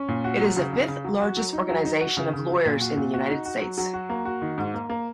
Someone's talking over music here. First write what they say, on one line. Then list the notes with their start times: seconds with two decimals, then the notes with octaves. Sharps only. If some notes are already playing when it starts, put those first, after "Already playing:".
It is the fifth largest organization of lawyers in the United States.
Already playing: C#4
0.08 A#2
0.24 F#4
0.40 F#3
0.56 C#3
0.73 C#3
0.88 C#3
1.05 F#3
1.20 F#4
1.37 F#3
1.53 D#4
1.69 F#3
1.85 D#4
2.01 F#4
2.17 C#3
2.33 C#3
2.49 F#3
2.65 A#2
2.81 F#4
2.97 A#2
3.13 F#4
3.30 D#4
3.45 F#4
3.61 F#3
3.78 F#3
3.93 F#4
4.09 A#3
4.25 F#4
4.42 D#3
4.58 G#2
4.74 A#3
4.89 A#3